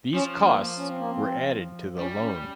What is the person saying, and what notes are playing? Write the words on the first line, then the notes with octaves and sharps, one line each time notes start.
These costs were added to the loan.
F3 C#4
A#3
C#4
C4
A#3
C4
G3 C#4
C#4